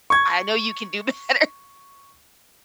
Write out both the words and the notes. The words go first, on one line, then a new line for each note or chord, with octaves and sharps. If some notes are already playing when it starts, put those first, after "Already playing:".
I know you can do better."
C#6 G#6